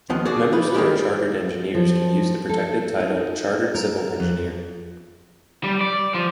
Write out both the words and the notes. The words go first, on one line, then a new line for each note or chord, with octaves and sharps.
Members who are Chartered Engineers can use the protected title Chartered Civil Engineer.
D#2 F3 B3
F#4 G#4 D5
D#4 B4
D#3 G3 G#3 G4
F3
A4
D#4
A#4
F2
G3
D5
F3